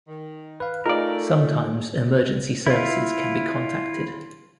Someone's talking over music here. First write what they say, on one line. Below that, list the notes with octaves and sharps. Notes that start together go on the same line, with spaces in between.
Sometimes emergency services can be contacted.
D#3
B4 F5
A3 D#4 F4 G#4 A#4 D5 D#5 F5
E4 F4